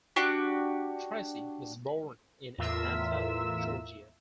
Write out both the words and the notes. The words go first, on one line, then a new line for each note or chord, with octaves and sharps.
Tracy was born in Atlanta, Georgia.
D4 F#4 G4
E2 A2 F4 A#4 E5 E6